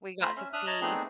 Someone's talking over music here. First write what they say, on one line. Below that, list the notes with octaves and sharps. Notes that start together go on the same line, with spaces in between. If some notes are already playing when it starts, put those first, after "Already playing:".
we got to see
A3 F4 C5 E5 A#5 B5
C#4 E5
D4 E5 D#6 F6 F#6
C#5 D#5 A5 A#5
A3 B3 C4 D4 D#4 G#4